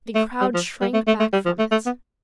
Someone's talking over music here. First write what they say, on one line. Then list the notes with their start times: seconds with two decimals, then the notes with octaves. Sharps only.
The crowd shrank back from it.
0.15 A3
0.41 G3
0.54 F3
0.81 G3
0.94 A3
1.07 A3
1.20 A3
1.33 G3
1.46 F3
1.59 A3
1.72 A3
1.86 B3